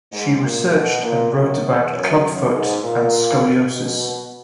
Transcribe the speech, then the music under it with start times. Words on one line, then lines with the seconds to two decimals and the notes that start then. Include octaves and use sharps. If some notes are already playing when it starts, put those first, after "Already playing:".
She researched and wrote about clubfoot and scoliosis.
0.12 G#2
0.42 A#2
0.72 B2
1.02 A#2
1.33 F#2
1.62 E2
1.92 F#2
2.52 G#2
2.82 A#2
3.73 B2